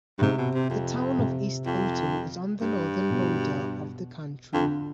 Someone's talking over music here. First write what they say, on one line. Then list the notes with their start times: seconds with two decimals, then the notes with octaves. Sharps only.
The town of East Otto is on the northern border of the county.
0.19 G2
0.21 G#2 C3
0.38 B2
0.55 C3
0.70 F2
1.19 C3
1.66 F2
2.61 G2
3.10 B2
4.53 F2 D3